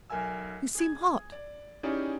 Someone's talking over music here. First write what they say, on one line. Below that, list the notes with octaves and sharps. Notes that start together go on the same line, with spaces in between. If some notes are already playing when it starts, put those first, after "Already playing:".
"You seem hot."
B1 A#4 E5 G#5 E6
G#4 G#6
D5
C#4 D#4 E4 G4 G#4 D5